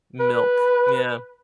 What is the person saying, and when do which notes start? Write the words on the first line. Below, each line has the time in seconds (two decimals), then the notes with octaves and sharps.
Milk, yeah.
0.20 B4